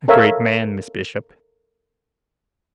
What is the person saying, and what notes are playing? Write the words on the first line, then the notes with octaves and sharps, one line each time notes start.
A great man, Miss Bishop.
A4 A#4 C#5 E5 F5